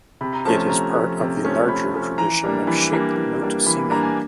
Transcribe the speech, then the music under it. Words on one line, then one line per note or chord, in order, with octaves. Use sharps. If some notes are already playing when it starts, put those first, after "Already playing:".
It is part of the larger tradition of shape note singing.
C3 B5
A#5
F3 A3 C#4 A5
A5
C3 A#5
F3 A3 C#4
C3
F3 A3 C#4
C3 B5
F3 A3 C#4
E3 A#5
G3 A#3 D4
E3 B5
G3 A#3 D4
E3
G3 A#3 D4
E3 B5
B5
G3 A#3 D4 A#5
G#5